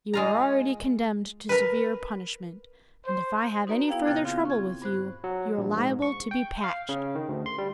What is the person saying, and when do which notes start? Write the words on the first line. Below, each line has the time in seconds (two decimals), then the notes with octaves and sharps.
"You are already condemned to severe punishment, and if I have any further trouble with you, you are liable to be patched."
0.14 G#3 F4 A#5
1.49 A#4 B4
3.05 C5
3.67 D#4 F#4 B4 D5 A#5
3.89 B3 E4 G#4 F5 G5
4.05 F2 A#2 C#3 G5 F#6 A6
4.25 C4 F4 F5
4.45 C#6 G#6
4.82 G2 C5 F#6
5.24 F#3
5.58 A#1
5.77 G#2
6.02 C#6
6.31 G5
6.64 F5
6.89 C#3
7.15 D#3
7.29 D2
7.46 C6
7.58 G3